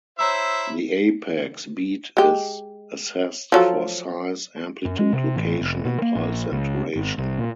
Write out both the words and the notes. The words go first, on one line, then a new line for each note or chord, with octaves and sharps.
The apex beat is assessed for size, amplitude, location, impulse and duration.
E4 C5 C#5 E5 A#5 E6
G#3 G4
F3 F#3 A4
F#2
G#3
C3
A1
F1
B2
A#3
A#1
C#2
G#1
C2
A#2